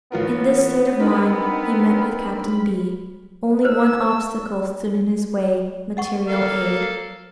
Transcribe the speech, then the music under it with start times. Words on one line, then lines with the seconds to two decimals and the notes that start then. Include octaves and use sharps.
In this state of mind he met with Captain B. Only one obstacle stood in his way--material aid.
0.12 A1 B3 F4 A#4 F#5
1.00 C4 D4 D#4 A#4 B4 B5
3.65 C5 E6
5.97 D#5 F#5 C#6
6.28 A#3 A4 F5